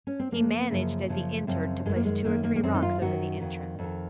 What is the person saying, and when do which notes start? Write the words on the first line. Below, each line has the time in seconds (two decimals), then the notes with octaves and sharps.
He managed as he entered to place two or three rocks over the entrance.
0.07 C#4
0.19 C4
0.32 F#2 C#3 F3 A#3
0.70 F#2 C#3 F3
1.08 F#2 C#3 F3
1.47 F#2 C#3 F3 C4
1.86 F#2 D#3 G#3
1.96 A#3
2.05 G#3
2.25 F#2 D#3 A#3
2.44 A#3
2.56 A#3
2.63 F#2 D#3 C4
2.74 D#4
2.82 F4
3.02 F#2 D#3 F#4
3.40 F2 D#3
3.79 F2 D#3